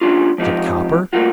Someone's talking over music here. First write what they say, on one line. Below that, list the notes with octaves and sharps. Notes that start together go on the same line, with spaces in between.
"Is it copper?"
G3 C#4 D4 F4
F3 G#3 C4 D#4 F4 G4
G3 A3 A#3 F4 F#4